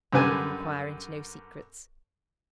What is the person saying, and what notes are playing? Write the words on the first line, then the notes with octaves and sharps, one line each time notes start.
"I will enquire into no secrets."
F#2 D3 G3 B4 G#5 A5